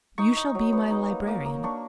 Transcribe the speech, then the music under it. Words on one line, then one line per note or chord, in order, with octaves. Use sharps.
You shall be my librarian.
D#4 C#6
D#4
F#3
B3
D#4
A#3
A#3
A#3
D4 C#6